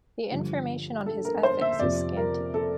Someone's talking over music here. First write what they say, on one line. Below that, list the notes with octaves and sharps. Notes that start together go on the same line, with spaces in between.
The information on his Ethics is scanty.
G2 D3 F3
A4
A#4
C5
E5
F2 C3 F3 D5
A#4
A4